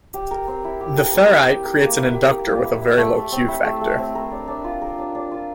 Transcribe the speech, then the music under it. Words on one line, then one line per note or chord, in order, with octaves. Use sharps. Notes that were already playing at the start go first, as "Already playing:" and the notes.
The ferrite creates an inductor with a very low Q factor.
G4
A#4
C4
E4
G4
A#4
C4
E4
G4
A#4
A#3
E4
G4
A#4
A#3
E4
E4
A3
A3
C4
E4
A3
A3
C4
A#4
D4
D4
F4
A#4
D4
D4
F4